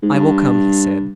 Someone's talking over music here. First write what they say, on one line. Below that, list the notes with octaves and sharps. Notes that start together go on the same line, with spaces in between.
"I will come," he said.
G#2
G2